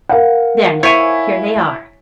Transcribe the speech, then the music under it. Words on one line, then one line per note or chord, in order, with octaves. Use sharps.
There now, here they are.
A#4 F5 F#5
E4 C#5 G#5 B6 D7